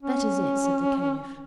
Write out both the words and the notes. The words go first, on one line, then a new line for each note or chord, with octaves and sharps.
"That is it," said the Caliph.
C#4